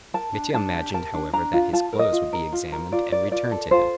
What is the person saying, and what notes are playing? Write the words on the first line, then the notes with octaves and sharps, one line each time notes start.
Mitya imagined, however, that his clothes would be examined and returned to him.
A#4 A5
D4
D4 A5
G4
A#4 A5
D4
D4 A#5
F4
F4 A5
A#4
D#5
F4
A#4
F4
A#4
F4 D5
A#4 D5
F4 D5
A4
F4 C5